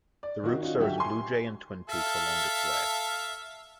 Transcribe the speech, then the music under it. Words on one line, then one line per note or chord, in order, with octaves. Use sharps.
The route serves Blue Jay and Twin Peaks along its way.
D5
D#3 F4 F#4
C#4 D#4 F4 F#4
B1 D3 F#4 G4 E5
G#5 C6
A4 E5 F5